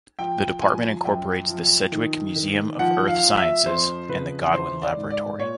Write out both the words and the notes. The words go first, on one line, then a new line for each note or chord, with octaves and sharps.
The department incorporates the Sedgwick Museum of Earth Sciences and the Godwin Laboratory.
F3 G5
F3 G#5
F#2 G5
F3
D#3
D#3
F3 F#5
F5
F3
E5
F2 C5
C#3 B4
E3 C5
D5
G#2
D5
A#2 C#5